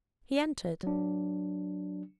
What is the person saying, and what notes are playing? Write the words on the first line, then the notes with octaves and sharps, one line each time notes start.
He entered.
F#3 D4